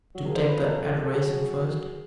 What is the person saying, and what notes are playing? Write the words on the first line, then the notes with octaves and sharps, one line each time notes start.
To take the adoration first.
F#3
F3 G#4 A#4
C5
B4
A#4
A4
A4
A4
F#3 G#4